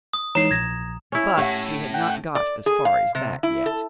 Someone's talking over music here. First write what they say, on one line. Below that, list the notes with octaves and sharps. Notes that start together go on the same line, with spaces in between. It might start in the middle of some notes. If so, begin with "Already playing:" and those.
But we had not got as far as that yet.
D#6
E3 G#3 D#4 C#5 A#5 C7
A#1 G#6 A#6
C#4 E4
A2 G4 F#5
F#5 G5
D5
G#4
F5
C3
E4
A4